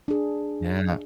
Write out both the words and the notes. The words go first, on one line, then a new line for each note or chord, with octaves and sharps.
Yeah, no
D4 G#4